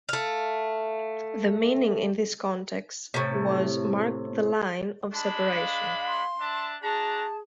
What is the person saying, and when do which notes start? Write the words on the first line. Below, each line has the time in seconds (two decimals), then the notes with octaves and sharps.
The meaning in this context was "marked the line" of separation.
0.09 A3 F5
3.14 A2 C3
5.13 G#3 D4 A5 B5
5.51 F5
6.07 C6
6.40 D4 E5 A5
6.83 D4 F#4 G#4 A5 A#5